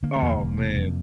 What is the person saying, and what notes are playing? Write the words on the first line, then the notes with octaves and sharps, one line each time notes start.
Oh, man.
D3 A#3
A3
E2
A#3
E1
C3
F2